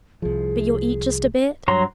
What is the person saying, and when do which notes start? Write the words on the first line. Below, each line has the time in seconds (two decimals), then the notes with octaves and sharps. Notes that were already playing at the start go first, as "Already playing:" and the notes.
But you'll eat just a bit?
0.22 C2 F3 G#4
1.68 G2 F#3 C#5 A#5 C6